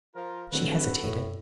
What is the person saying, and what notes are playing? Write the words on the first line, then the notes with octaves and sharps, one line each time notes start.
She hesitated.
F3 F4 A#4
D1 D#3 F#4 A4 B4
F#2 A2